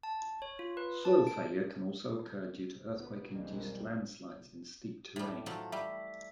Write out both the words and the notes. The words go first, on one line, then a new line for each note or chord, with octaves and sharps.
Soil failure can also occur due to earthquake-induced landslides in steep terrain.
A5
C#5
F4
B4
A5
D7
D2 A#2 B3
B1 F2 D#3 G3 G#3 A#3
A2 G3
F3 F#3 A3
G3 E5